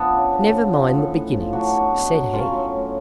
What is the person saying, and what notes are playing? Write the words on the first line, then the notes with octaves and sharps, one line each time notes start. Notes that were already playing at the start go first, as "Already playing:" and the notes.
"Never mind the beginnings," said he.
Already playing: F3 B3 D4
C#3
C#3
F3
F3
A2
A2
F3
F#3 D4 F#4
B2
B2
F#3
F#3 C#4 F4
A2
A2